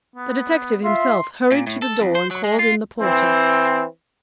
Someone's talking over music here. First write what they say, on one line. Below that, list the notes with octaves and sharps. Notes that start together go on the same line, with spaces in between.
The detective himself hurried to the door and called in the porter.
B3
F4 E5 C6
A#2
A2
A4
F2
C5
F#3
G#3
F4
E3 C4